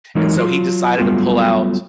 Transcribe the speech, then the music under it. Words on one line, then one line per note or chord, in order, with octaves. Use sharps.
and so, he decided to pull out
E3 F#3 G#3 D#4 A#4 C#5
F#3 F4
F#3 G3 A3 B3 F4 G#4